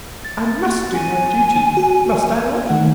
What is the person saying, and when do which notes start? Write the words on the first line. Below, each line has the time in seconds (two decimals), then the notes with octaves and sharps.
"I must do my duty, must I not?"
0.25 A6
0.94 G#5
1.77 F#4
2.69 D#3 A3 F#5